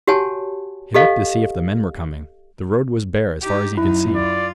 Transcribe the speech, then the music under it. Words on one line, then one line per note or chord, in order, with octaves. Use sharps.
He looked to see if the men were coming; the road was bare as far as he could see.
F#4 G4 C#5 F#5 G#5 A5
G4 A4 D#5 F5
D#4 G4
F#2 D#4 E4
F4 D5